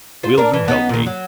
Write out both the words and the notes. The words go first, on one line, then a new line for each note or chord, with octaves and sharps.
Will you help me?
F4 C5
D4 A#4
E3
B3 C#4 D#4
A#2 D#3
F#3